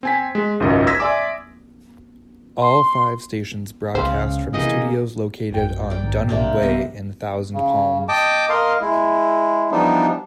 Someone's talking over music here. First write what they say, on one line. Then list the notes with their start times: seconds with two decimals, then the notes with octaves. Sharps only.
All five stations broadcast from studios located on Dunham Way in Thousand Palms.
0.03 C4 G#5 B6
0.35 G#3
0.60 G#1 C#2 F#2 F4 D#5
0.87 D#6 E6 G#6 A#6 B6
1.00 D5 E5 G#5 C6 D6 E6
2.62 C6
3.95 C#2 C#3 C5 F5 B5
4.54 C3 E3 A#3 G4 G#4 D#5
5.50 A#1 F#2 G5
5.90 D5 G5
6.03 B1 G#2 D#3
6.29 C3 A#3 D4
6.62 G2 B3 D#5 E5
7.53 C#3
8.09 D#5 G5 A5 D6
8.49 A#4 D#5 F5 C6
8.81 G#3 E4
9.71 E3 F3 G3 B3 D4 D#4